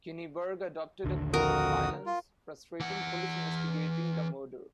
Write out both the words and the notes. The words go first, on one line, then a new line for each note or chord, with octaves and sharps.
Kinniburgh adopted a code of silence, frustrating police investigating the murder.
A#1 D#2 D3
F2 F#4 A#4 D#6
F4
E3 F#5